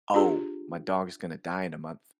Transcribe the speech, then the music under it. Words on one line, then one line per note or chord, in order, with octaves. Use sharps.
"Oh, my dog is gonna die in a month."
D4 F4 G4 G#4